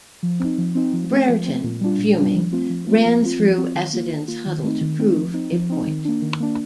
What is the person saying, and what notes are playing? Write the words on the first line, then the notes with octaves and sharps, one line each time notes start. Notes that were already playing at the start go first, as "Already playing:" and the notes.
Brereton, fuming, ran through Essendon's huddle to prove a point.
F3
C4 D#4
F3
C4 D#4
F3
A3 C4
F3
A3 C4
A#2
G3 D4 F4
A#2
G3 D4 F4
F3
A3 C4 F4
F3
A3 C4 F4
F3
C4 F4
F3
C4 F4
D#3
A#3 F4
D#3
A#3 F4
D#3
A3 C4 D#4
D#3
A3 C4 D#4
F3
C4 D#4
F3
C4 D#4
D#3
A#3 D4
D#3
A#3 D4